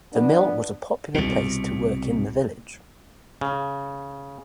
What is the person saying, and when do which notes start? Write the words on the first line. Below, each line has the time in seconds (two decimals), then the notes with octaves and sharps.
The mill was a popular place to work in the village.
0.13 F3 B3 D4
1.14 C2 B2
3.41 C#3